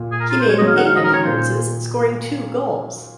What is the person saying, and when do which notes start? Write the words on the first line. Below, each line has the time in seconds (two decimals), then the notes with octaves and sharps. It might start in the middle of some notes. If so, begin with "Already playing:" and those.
He made eight appearances scoring two goals.
Already playing: A#2
0.11 G#4
0.20 A#4
0.30 F4
0.40 C5
0.49 G#3 C#5
0.58 D#5
0.61 F#3
0.67 F5
0.73 D#3
0.77 F#5
0.86 C#3 F5
0.96 D#5
0.99 D#3
1.04 A#4
1.11 C#3 C#5
1.23 A#2 C5